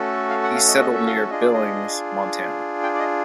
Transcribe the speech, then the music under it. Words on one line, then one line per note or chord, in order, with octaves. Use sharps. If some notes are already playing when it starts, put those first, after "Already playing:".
He settled near Billings, Montana.
Already playing: A3 C#4 F#4 A4
F5
F#5
F5
D#5
D#5
E5
F5
D4 F4 G#4 D#5
D5
D#5
G5
D5
D#5